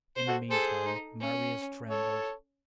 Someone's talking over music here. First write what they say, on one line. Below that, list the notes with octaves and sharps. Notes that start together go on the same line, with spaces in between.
In the meantime, Marius trembled.
C5
F#4 A4
G#4 A4 C5
D#4
C#4
A4 C#5